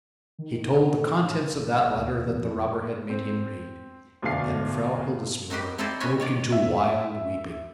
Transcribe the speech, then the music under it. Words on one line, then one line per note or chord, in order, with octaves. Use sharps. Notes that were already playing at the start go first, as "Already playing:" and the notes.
He told the contents of that letter that the robber had made him read, and then Frau Hildesmuller broke into wild weeping.
D#3
A2
F#1
D2
E2
F2
C4
D2 B2 D4 A4 F5 C7
C4 D#4 F#4 G4 B4
C4 D#4 E4 A4 C5 D5
B3 C#4 F#4 C#5 D#5 G#5
D#3 C#5 D5
E5